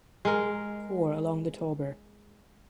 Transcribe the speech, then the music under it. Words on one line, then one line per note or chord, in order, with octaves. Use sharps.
Corps along the Tauber.
G#3 A#4